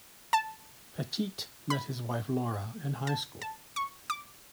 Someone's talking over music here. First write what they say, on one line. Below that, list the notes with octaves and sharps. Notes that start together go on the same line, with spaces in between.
Pettitte met his wife Laura in high school.
A5
B5
A5
A5
C#6
D6